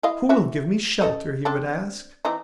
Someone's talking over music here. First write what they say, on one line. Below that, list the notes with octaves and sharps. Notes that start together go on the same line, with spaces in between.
"Who will give me shelter?" he would ask.
E4 D#5 F5
E3 F#4 E5
C#3 A4 D#5
C4 D4 A4
E3 C4 D#4